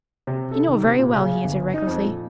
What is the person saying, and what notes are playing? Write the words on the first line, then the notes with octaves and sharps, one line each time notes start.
"You know very well," he answered recklessly.
C3
A4
D#3
C3
A#2
C#3
G1
D#4
F2
A#2